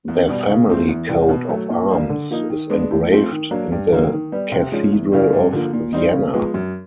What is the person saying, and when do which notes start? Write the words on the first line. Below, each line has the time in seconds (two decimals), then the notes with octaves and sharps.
Their family coat of arms is engraved in the Cathedral of Vienna.
0.08 E2
0.28 B2 G3
0.48 C#3
0.69 F3 A3 C4
0.88 E2
1.09 C3 E3 G3
1.29 B2
1.49 F#3 A3
1.70 A#2
1.90 G3 A#3 D4
2.09 D3
2.31 F3 A#3 D#4
2.50 D#3
2.70 G#3 B3 D4
2.91 A2
3.11 F3 A3 C4
3.31 D#3
3.51 F#3 A#3 D4
3.72 G2
3.92 D3 F#3 A#3
4.12 D#3
4.32 G3 B3
4.52 C3
4.72 F3 G#3 C#4
4.92 E2
5.12 C#3 E3 G3
5.33 G2
5.53 D3 F3 A#3
5.73 A#2
5.93 G3 C4 D#4
6.13 C#3
6.33 F3 G#3 B3
6.54 F#2